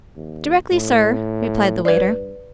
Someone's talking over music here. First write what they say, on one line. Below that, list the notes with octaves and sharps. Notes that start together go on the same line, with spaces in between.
'Directly, sir,' replied the waiter.
D#2
A2
G2 B4 D5